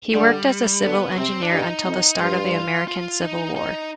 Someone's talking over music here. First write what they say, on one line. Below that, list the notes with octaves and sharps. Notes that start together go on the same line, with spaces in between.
He worked as a civil engineer until the start of the American Civil War.
D3 G3
D3 B3
C3 C4
D4
G2 D#4
F2
G2 F4
F4
D#4
D#4